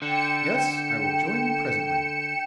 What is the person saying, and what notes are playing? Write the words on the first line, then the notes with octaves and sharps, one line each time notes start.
"Yes, I will join you presently."
D3 G5 C#7 E7